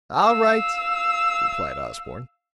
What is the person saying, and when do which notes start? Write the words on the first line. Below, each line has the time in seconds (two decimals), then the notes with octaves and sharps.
"All right," replied Osborne.
0.23 F5 E6